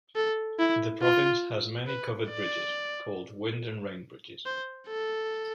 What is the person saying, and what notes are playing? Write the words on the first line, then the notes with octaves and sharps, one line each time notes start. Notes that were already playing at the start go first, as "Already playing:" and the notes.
The province has many covered bridges, called "Wind and Rain Bridges".
A4
E4
F4
B4
D5
C5
A4